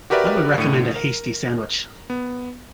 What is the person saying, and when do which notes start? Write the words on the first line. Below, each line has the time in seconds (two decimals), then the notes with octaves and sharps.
I would recommend a hasty sandwich.
0.10 F#4 G4 A#4 B4 D5 E5
0.58 A2 D3 C#7 D#7
0.96 A#4
2.10 B3